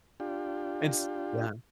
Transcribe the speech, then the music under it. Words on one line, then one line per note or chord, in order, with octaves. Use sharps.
It's yeah.
D4 F4 G4